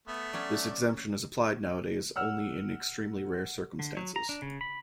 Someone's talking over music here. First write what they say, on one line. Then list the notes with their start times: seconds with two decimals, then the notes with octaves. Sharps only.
This exemption is applied nowadays, only in extremely rare circumstances.
0.08 A3 B3
0.33 F#3 B3 C#4 D5
2.16 F#5 E6 F6
3.79 D3
3.97 F#3
4.16 A#5
4.29 D4
4.42 C#3
4.61 B5